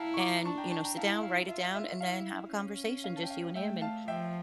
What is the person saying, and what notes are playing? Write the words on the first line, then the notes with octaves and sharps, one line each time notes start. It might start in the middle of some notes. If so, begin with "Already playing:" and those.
and you know, sit down, write it down, and then have a conversation, just you and him and
Already playing: E4 F5 G5 A5 A#5
C#6
A#5 D6
D4 A5 C#6
G5 A#5
A5 C#6
G5 A#5
E4 F5 A5
F5
F4 E5
E5
E4 F5
C#4
F5
A5
G5
F5
A3 E5 G5
F5 A5
F3 E5 G5